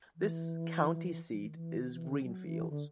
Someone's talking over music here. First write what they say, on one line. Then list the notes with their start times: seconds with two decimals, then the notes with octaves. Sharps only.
The county seat is Greenfield.
0.16 E3
1.32 F3
1.40 E3
1.47 D#3
1.56 E3
1.77 D#3
1.93 E3
2.07 D3
2.23 F#3
2.46 E3
2.70 D3